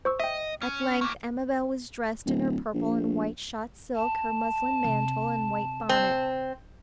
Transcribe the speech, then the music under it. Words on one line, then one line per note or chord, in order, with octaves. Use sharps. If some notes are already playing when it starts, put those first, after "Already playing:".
At length Amabel was dressed in her purple and white shot silk, her muslin mantle, and white bonnet.
C5 C#6 E6
D#5 E5 G5
C#4
A2 A#3 C#6 D6
D1
A#1
A5
C3
C4